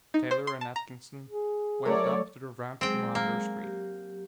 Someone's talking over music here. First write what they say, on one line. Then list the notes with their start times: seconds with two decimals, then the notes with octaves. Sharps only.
Taylor and Atkinson went up to the Ramp thermometer screen.
0.14 D#4
0.31 C5
0.47 C6
0.61 A5
0.76 A#5
1.29 G#4
1.86 F#3 A3 A4 A#4 C#5 D5
2.81 F#3 G#3 C4 G#4 G5
3.15 A#3
3.63 F#3 G4